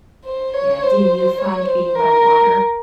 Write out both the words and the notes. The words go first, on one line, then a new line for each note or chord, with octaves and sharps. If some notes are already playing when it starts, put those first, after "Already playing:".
Yeah, do you find being by water
C5
C#5
C5
C#5
C5
A#4